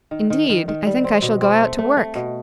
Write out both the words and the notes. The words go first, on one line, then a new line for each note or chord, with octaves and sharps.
Indeed, I think I shall go out to work.'
D#3
D#3
D#3
D#3
G3
C4
B2
C4
A3
A3
A3
B2